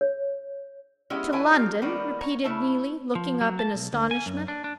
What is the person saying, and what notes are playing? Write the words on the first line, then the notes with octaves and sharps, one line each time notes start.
"To London?" repeated Neelie, looking up in astonishment.
C#5
G#3 B3 C#4 E4 G4 D#5
D3 E4 B4 E5 G#5 A5
A#3 F4 G4 C#5
E3 A#3 B3 C#4 D5
C#5 A#5
C#3 C#4 E4 C#5 A5
F3
F#3
A5
B1
D2
G#5
F#2
D4
D4